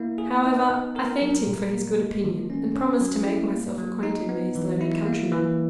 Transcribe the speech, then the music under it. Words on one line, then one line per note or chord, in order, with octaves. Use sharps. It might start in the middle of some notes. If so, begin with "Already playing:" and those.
However, I thanked him for his good opinion, and promised to make myself acquainted with his learned countryman.
Already playing: A#3 E4
G#4
D#4
B3
A#4
F#3
A#2
A#3
G#3
D#3
C#4
C#4
F#3
E4
A#3
F#3
D#4
B3
E3
E4
A#3
E3